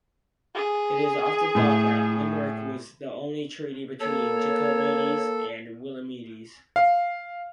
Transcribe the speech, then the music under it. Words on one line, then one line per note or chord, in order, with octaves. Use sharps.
It is often thought that Limerick was the only treaty between Jacobites and Williamites.
G#4
A2
A#3 A4 C#5
F5